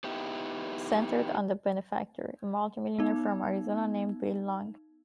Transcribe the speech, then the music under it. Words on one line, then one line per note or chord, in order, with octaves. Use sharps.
It centered on the "Benefactor", a multi-millionaire from Arizona named Bill Long.
B3 D#4 E4 G4
B3 D#4